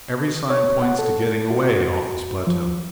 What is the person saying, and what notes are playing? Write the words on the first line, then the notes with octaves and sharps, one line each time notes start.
Every sign points to getting away off this plateau.
C#5
F#5
A4
F#4
F3